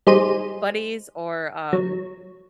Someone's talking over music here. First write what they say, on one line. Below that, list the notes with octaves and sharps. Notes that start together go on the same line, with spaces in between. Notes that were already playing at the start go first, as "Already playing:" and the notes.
Buddy's or, um,
G3 D#4 G#4 C5 D#7
F#3